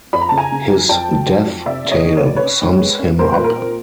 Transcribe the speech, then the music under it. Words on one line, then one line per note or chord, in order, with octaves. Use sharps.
His death-tale sums him up.
F2 B5
A#5
C#3 A5
G#5 A#5
C#3
F#3
F2 G5 A5
F#3
F#3
F2
C3 D5 E5
C3 E5
C#5 D#5
D#3
C#5
C3 D5
B4 C#5
C#4
D#3
G#3
C#4
G3 A#4 C5
B4
A#2
A#4
C4